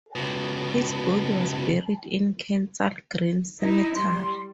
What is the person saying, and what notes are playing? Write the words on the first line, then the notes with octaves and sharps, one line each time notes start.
His body was buried in Kensal Green Cemetery.
C#2 B2
D#4 E4
G3 C6